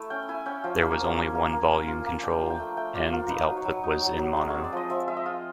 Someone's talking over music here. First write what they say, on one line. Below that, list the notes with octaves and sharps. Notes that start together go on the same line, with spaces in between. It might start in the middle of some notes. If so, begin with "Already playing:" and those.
There was only one volume control, and the output was in mono.
Already playing: A3 E4
C#4 G5
E4 G#5
C#4 G5
F3 G5
A#3
G#5
F3
A#3
A#3
A#3
A#3
F4
A#3
D4 G5
F4
G5
A3
A3 G5
F4 D5
F4 A#4
D#4 B4
F#3
C#5
F#3
D#4
F#3
F#3
G#3
C4 C#5
D5
F3 D#5
F3 E5
G#3 E5
D#5
F4